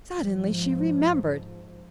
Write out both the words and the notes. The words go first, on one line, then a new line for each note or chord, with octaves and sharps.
Suddenly she remembered.
G#2 F3